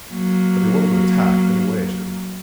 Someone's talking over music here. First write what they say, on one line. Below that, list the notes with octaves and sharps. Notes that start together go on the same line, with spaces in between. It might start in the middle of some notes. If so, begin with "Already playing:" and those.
"If we want to attack they're waiting."
F#3 A#3